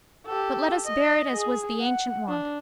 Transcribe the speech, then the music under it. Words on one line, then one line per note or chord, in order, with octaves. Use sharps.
But let us bear it as was the ancient wont.
G4 A4
D#5
G#4
F#5
D4